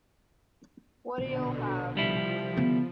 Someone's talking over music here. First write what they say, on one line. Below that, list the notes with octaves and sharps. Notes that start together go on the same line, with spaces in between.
What'll you have?
A#1 B2 D3
C2 F3 G3 E4
D3 B3